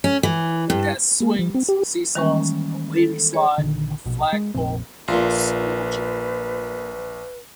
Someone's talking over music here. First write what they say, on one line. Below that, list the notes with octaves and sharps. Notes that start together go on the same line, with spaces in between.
It has swings, seesaws, a wavy slide, a flagpole, and a school gym.
C#4
E3
G2
A#3
F3
C4
G4
D#3 E3 G3 G#3 A#3 C#4
A4
G#4 C#5
A#1 B2 D3 D#3
A#1 B2
G#3
F1 A#1 C4
A#1 A#2 F4 B4